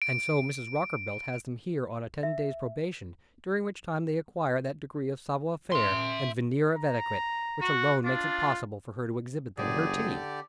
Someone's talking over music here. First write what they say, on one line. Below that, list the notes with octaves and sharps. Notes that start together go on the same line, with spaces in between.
"And so Mrs. Rockerbilt has them here on a ten days' probation during which time they acquire that degree of savoir-faire and veneer of etiquette which alone makes it possible for her to exhibit them at her tea."
D7
E5
E5 C6
A#5
F#4
D4 F4
F#1 D3 G4 G#4 D5